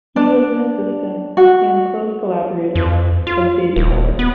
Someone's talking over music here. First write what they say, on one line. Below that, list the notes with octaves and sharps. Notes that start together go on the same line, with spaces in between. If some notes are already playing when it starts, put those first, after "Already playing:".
He was an assistant and close collaborator of David Hilbert.
D4
F#4
F2
F4
D#1
B3